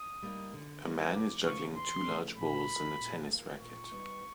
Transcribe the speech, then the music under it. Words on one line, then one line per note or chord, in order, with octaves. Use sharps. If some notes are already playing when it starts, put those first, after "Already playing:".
A man is juggling two large balls and a tennis racket.
Already playing: D#6
G3 A#3 D#4
D3
G3 A#3 D#4
E2 D6
C#3 F3 A3 C#6
E2 C6
C#3 F3 A3
A#2 B5
F3 A#3
A#2
F3 A#3
A#2 C#6
G3 B3 D#4